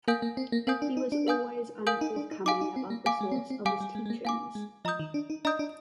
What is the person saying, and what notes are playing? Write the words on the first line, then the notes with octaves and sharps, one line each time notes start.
He was always unforthcoming about the source of his teachings.
A#3 A#4 F5 G#5 D#6 G6
A#3
C4
A#3
C4 A#4 F5 G#5 D#6 G6
D4
D#4
D4
A#4 F5 G#5 D#6 G6
A#4 F5 G#5 D#6 G6
D#4
D4
D#4
D#4 F5 G#5 D6
D#4
C4
A#3
A#3 F5 G#5 D6
G#3
C4
A#3
C4
G3 F5 G#5 D6
G3
G#3
G#3
A#3
A#3 F5 G#5 D6
G#3
F3 D#5 A#5 D#6 G6
D#3
D4
D#4
D4 D#5 A#5 D#6 G6
D4